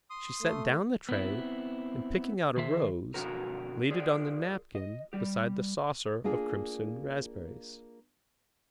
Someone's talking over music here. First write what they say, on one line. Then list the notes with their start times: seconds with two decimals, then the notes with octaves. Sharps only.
She set down the tray, and picking out a rose, laid it on the napkin besides the saucer of crimson raspberries.
0.10 C6 D#6
0.41 A3
1.09 B3 C4 E4
2.57 D#3 G#4 C5 E5
3.14 F2 B2 D3 F#4 A#4
3.91 F4 G#4 A#4 D5
4.75 D#5
5.13 G3 G4
6.24 A#3 D4 F4 G#4